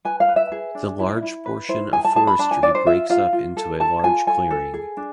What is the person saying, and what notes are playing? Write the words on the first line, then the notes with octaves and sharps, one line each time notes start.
The large portion of forestry breaks up into a large clearing.
B4 G#5
F5
B4
E5
G#4
D4
E4
E4
B4
E4 C5
G#4 G#5
A5
G#4 A5
B5
D4 A5
G#5
D4 D5
C5
F4 E5
F4 F5
F4
A4
A4 A5
F4 G#5
A4 G#5
A4
G#4
D4